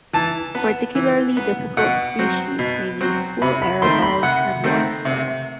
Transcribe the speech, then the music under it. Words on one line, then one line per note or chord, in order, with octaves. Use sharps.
Particularly difficult species may need cool air above and warm soil.
E3 A5
B3
E3
B3
B2 F#5
F#3 C4
B2
F#3 C4
C3 B5
B5
D#3 A3 C4 C6
B5
C3 F#5
D#3 A3 C4
C3